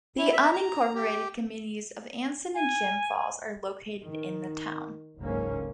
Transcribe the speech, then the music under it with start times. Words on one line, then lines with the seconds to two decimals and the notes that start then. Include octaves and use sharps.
The unincorporated communities of Anson and Jim Falls are located in the town.
0.17 E4
0.33 E5
0.53 A#5
0.95 G4
2.55 G#5
4.03 D#3
5.19 F#1 C#2 G#2 D3 A#3 C#4